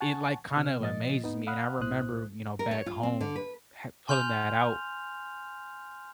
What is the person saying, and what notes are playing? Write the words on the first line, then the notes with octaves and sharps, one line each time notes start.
it, like, kind of amazes me, and I remember, you know, back home ha pulling that out,
F#5 G#5 A5 C#6
C3 F6
A#2 F3 D#5 A6
B3 D#4
F5 F#5 B5 D#6 F6 F#6
C2 A2 E4 C5 D#6 F#6
A#4
C#5
F4
C4
D3
B4
G#5 C6 F6 G6 F7